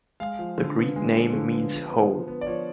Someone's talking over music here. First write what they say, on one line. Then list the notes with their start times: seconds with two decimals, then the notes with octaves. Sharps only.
The Greek name means "whole".
0.20 G#3 F5
0.39 F3
0.58 D3
0.77 B3
0.96 G#3
1.15 F3
1.33 D3
1.52 B3
1.72 F3
1.90 B3
2.10 F3
2.28 B3
2.41 D5
2.47 F3 C#5